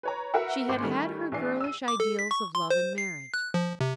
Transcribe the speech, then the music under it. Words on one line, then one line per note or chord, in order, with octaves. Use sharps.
She had had her girlish ideals of love and marriage.
B4 C#5 A#5
F#4 A#4 B4 E5 F#5
G#1 C5 D6
D#3 G3 A3 C#4
A#1 E3 D4 D5 C7
E6 D#7
D6
A4
B6
C#6
C6
C5
C7
F#6
F3
C3